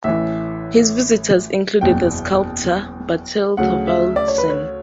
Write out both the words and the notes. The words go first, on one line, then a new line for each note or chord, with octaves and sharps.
His visitors included the sculptor Bertel Thorvaldsen.
A1 A2 E3 E5
F#1 E2 B2 G5
D2 C#3 F#3 F#5
E5
D5
C#5
B4
C#5